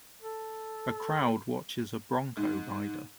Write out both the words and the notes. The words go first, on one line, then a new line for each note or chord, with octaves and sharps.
A crowd watches a bronco rider.
A4
G#2